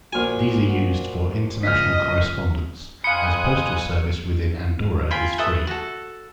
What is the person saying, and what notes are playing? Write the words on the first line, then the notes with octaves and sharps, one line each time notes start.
These are used for international correspondence, as postal service within Andorra is free.
A#1 F#4 G#5 F6
F4 F#4
C#3 F3 D#5 F6 B6
F2 F5 G#5 B5 C6 D#6 F#6 C#7
F4 G5 G#5 B5
A4 B4 E5 D#6
F#4 A4